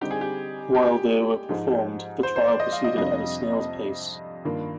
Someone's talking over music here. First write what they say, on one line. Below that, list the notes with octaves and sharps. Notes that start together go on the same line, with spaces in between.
While they were performed, the trial proceeded at a snail's pace.
D3 G3 C4 D#4 G4
G#4
G4
G4
G#2 F3 G#3 D#4
C5
C5
D5
D#5
F5
D#5
F2 C3 G3 D4 F4 D#5
G2 D#3 A#3 D4 F4